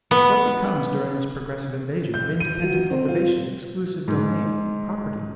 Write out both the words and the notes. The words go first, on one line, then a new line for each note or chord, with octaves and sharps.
What becomes, during this progressive invasion, of independent cultivation, exclusive domain, property?
B3
G6
D#7
F#3
C4
F4
G#2